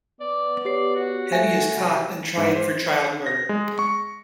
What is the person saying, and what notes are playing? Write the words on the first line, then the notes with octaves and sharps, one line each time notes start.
Hetty is caught and tried for child murder.
B3 D5
G4 C#5 D5 C7
F#4
A3 E5 G#5 A#6
C3
G#2
C5
A#6
G#3
C#6